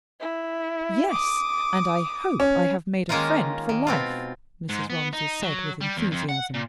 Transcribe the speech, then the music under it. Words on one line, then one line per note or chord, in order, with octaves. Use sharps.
"Yes--and I hope I have made a friend for life," Mrs. Romsey said with enthusiasm.
E4
D6 D#6
C#4
D#3 G#3 A#3 C#4 D#4 F4
D#3
B2 C4 F4
G#2
B3
D#4
F#3
G3
E2
F2
F#5
A#2